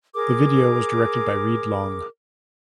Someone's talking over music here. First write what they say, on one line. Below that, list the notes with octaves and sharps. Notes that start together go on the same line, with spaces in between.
The video was directed by Reid Long.
G#4 A#4 D6